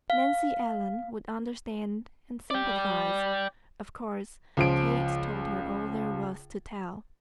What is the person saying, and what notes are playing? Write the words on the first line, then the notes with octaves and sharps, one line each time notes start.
Nancy Ellen would understand and sympathize; of course Kate told her all there was to tell.
F5
D5 G5
C#2 F3 D7